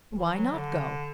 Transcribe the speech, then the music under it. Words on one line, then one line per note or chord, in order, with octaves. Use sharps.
"Why not go?"
E3
F#3
D3